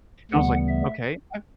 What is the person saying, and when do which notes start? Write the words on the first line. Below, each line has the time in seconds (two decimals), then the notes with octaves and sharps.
I was like, "Okay, I've"
0.31 D2 C#3 E3 G3 B3 F#5
0.68 E5